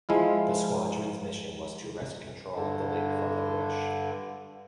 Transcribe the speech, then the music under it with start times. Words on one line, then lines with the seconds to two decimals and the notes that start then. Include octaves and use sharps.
The squadron's mission was to wrest control of the lake from the British.
0.09 F3 G#3 E4 F4
2.55 G2 D3